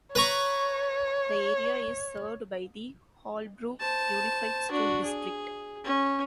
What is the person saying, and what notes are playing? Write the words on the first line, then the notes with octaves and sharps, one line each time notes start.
The area is served by the Holbrook Unified School District.
B4 C#5 A#5 C#6
C5 A5
D4 F#4
G#4
C#4